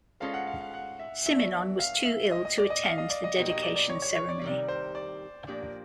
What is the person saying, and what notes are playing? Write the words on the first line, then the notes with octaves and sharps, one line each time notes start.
Simenon was too ill to attend the dedication ceremony.
G#3 C#4 F4 A4 C5 F5
F#5
F5
F5
F#5
E5
F#3 B3 D4 F#4 E5
F5
E5
A2 F3 A#3 D#5
D#5
D5
D#5
F5
D#5
D5
D#5
B2 F#3 A#3 D#4 G4 D#5
D#5
D5
D5
C#5
C#5
C#5
D5
C3 D#3 G3
C5
D5
A#2 F3 A#3 D4 G4